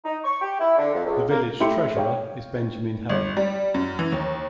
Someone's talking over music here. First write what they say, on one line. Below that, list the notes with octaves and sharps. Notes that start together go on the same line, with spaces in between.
The village treasurer is Benjamin Heller.
D#4
C#6
G4
E4
D3
F2
C#2
A#3
A3 E4 G4 C6 C#7
C#5 F5 G5
G1
G3
F#2
E3
D#2